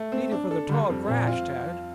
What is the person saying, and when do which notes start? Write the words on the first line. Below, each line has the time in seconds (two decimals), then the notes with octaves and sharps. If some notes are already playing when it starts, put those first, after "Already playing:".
"Beat it for the tall grass, Tad!"
Already playing: A3
0.12 C4
0.31 D4
0.51 A4
0.69 D3 G3
0.90 F2
1.08 A#2 C4
1.27 F4